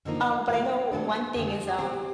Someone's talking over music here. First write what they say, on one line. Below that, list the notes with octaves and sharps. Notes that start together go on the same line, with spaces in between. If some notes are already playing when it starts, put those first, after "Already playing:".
um, but I know one thing is, um,
F#2 D3 F3 A#3 D4 D#4
A#2 F#3 A3 D#4
B2 F#3 A3 D4 G#4
G#4
F2 D3 F3 G4
G#4
G4
B2 G3 C4 G4